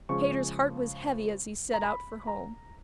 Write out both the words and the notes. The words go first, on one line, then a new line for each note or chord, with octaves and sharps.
Peter's heart was heavy as he set out for home.
C#3 F3 G#3 C#4 C#6
A#5
B5
A#5